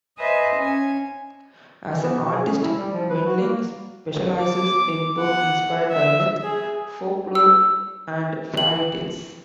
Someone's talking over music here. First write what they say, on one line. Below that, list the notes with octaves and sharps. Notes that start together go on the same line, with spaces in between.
As an artist, Windling specializes in work inspired by myth, folklore, and fairy tales.
B4 C5 D#5 E5 G#5
C#4 G#5
E3
B3
B2
G#4
C#4
E4
G3
F3
B4
F#4
A#3
D6
F#5
E5
G#4
E6
F#7